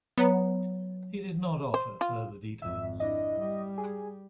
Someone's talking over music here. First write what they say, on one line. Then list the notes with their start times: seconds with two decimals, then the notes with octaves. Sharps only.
He did not offer further details.
0.18 F#3 B3 C#5 A#5
1.74 C5
2.01 F4
2.62 G#1 F2 E5
3.00 D4 E4 D#5
3.40 G3
3.78 G#4